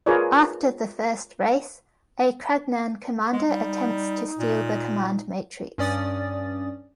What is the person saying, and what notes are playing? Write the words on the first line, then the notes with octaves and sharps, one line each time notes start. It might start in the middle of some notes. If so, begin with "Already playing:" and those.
After the first race, a Kragnan commander attempts to steal the Command Matrix.
F4 G#4 A#4 B4 C#5 D5
G#3
G3 D#4
A#2
G2 C#4 D5 D#6 A6